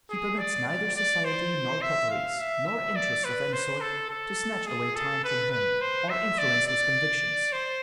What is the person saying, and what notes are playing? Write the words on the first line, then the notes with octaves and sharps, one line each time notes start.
He permits neither society nor coteries, nor interests of any sort, to snatch away time from him, or influence his convictions.
G#4
D5
D5
D5
C5
E5
F5
E5
E5
D5
B4
C5
A4
A4
G#4
A4
B4
B4
C5
E5
D5
D5
C5